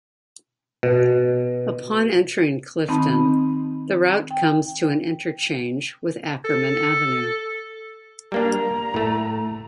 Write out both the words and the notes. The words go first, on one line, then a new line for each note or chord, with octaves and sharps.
Upon entering Clifton, the route comes to an interchange with Ackerman Avenue.
B2
D#3 C4 D#4 A5 B5
G5
A4
G3 A#3 D4 A#5
A2 A3